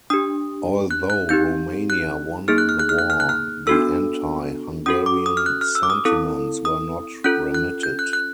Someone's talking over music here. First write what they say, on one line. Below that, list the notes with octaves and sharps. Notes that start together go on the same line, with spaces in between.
Although Romania won the war, the Anti-Hungarian sentiments were not remitted.
D4 G4 D#6
F#6
F#6
C4 D#4 G4 G6
F#6
A#3 D#4 G#4 F6
F#6
F6
F#6
F6
F#6
F6
F#6
F6
B3 D4 F#4 A4 E6
C#4 F#4 A4 D#6
D6
D#6
F6
F#6
F6
E6
D6
D#6
C4 E4 A4 D#6
D#6
C#4 F4 A4 F#6
F#6
G6
F#6
F#6